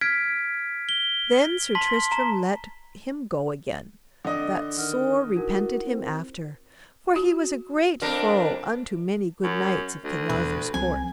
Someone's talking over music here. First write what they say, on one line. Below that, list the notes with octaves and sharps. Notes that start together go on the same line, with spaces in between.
Then Sir Tristram let him go again that sore repented him after, for he was a great foe unto many good knights of King Arthur's court.
F6 G#6 B6 D7
G7
A5 C6 B6
A#5
D3 D#5
D#3 F#5 F6
D#4 E4 F#4 A#4
C4
F#4
F2 D4 A#4
F#2
D2
E2 B2 B4
C2 F3 C4 G#5